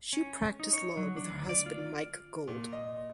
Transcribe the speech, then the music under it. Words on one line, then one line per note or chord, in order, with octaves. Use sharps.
She practiced law with her husband Mike Gold.
C#4
D#4
C#5
F#3
D4
D2
D5
F4
A#2
D#5